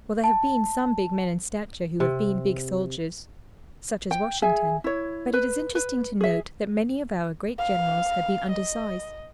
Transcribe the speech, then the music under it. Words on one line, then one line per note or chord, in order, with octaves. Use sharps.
Well, there have been some big men in stature who have been big soldiers--such as Washington--but it is interesting to note that many of our great generals have been undersized.
A5
C3
G5
G#4 E5 G#5
E4 C#5
B4
B4
G#4 E5
F5
D#5